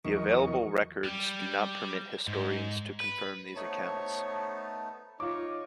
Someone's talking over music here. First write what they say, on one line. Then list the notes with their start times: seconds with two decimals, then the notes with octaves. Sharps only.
The available records do not permit historians to confirm these accounts.
0.05 E2 E3 F#3 A#4 D#5 C#6
1.04 G3
2.28 G#2
3.00 B4
3.56 A3 B3 D#4 C5 C#5 A5
5.20 D#4 F4 C#5 D6